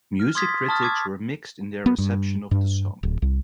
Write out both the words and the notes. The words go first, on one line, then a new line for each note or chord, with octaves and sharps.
Music critics were mixed in their reception of the song.
F6
C6 D6 D#6 G#6 A6 B6
B6
A5 C#6 D#6 F6 A6
D6 D#6 G#6
B3
G2
G2
D1
C2